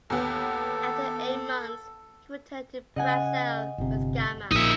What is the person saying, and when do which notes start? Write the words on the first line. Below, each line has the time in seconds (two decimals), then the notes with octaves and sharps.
After eight months he returned to Brazil with Gama.
0.10 D#2 B3 A4
2.96 C#3 D#5 F#5 G#5
3.78 G1 C3
4.51 A#1 A#2 D#4 E5